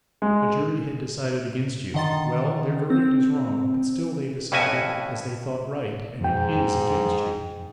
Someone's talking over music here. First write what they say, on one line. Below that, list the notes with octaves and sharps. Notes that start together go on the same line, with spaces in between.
A jury had decided against you; well, their verdict is wrong, but still they decided as they thought right, and it IS against you.
G#3
D3 D#3 D#5 C6 A6
C4
F2 A2 C#4 E4 F#4 G#5
F2 G#2 G5